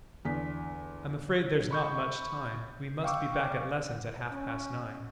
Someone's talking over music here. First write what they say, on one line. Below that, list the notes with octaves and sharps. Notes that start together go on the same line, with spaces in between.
"I'm afraid there's not much time; we must be back at lessons at half-past nine."
E2 D3 B6
B5 C#6 G6
F5 G5 C#6 D6 E6
C#4